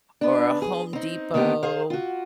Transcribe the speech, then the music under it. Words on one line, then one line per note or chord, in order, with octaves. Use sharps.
or a Home Depot
B3 D4
G#4
C4 D#4
D3 A#3 B3 F#4 G4
G#4 C5 F5
F4 F#4